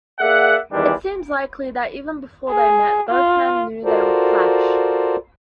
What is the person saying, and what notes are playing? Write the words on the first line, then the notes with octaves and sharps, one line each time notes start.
It seems likely that even before they met both men knew they would clash.
A#3 G#4 D5 E5 F#5
E2 D#3 E3 G3 G#3 D4
G#4
F4
F4 F#4 A4 A#4 C5 D5